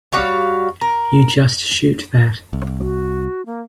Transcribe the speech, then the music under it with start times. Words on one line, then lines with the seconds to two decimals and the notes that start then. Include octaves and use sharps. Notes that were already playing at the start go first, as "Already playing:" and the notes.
You just shoot that.
0.12 G3 F#4 C#5 F5
0.81 A#4
2.53 C2
2.79 F#4
3.46 A#3